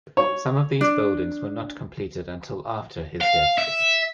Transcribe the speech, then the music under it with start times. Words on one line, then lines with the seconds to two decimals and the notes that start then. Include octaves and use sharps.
Some of these buildings were not completed until after his death.
0.17 C#5
0.81 D4
3.21 F5
3.58 E5